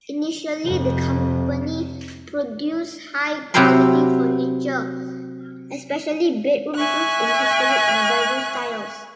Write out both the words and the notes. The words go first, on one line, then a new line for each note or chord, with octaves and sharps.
Initially the company produced high quality furniture, especially bedroom suites, in historic revival styles.
F2 C3
C3 F#3 E4 G4 A#4 C6
E5 G#5 C#6 F#6